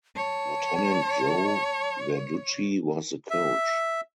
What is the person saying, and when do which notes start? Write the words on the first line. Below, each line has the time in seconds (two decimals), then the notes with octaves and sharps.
Lieutenant Joe Verducci was the coach.
0.16 C#5 A5
3.30 E5